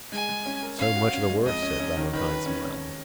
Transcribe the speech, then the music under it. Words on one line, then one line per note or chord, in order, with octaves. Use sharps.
"So much the worse," said Valentine, smiling.
G#3 G#5
G#3
C#4
A#4
C#4 F5
F#4
C#4
G#3
F2 D#5
C#4
C#4
D#3
D#3 B4
D#3
C#4
C#4